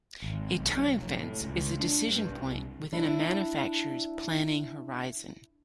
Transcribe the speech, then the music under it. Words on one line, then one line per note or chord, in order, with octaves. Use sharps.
A time fence is a decision point within a manufacturer's planning horizon.
G#1
B1
F#3
F1
A2
C#2
D4
G2
C2
D4 E4